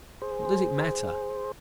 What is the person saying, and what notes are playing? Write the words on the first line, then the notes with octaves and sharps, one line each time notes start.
What does it matter?
G#4 C5